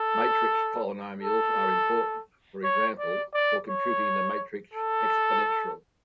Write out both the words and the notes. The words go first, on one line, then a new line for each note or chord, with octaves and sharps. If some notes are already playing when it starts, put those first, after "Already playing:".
Matrix polynomials are important for example for computing the Matrix Exponential.
Already playing: A4
A4
C#5
D5
D5
C#5
A4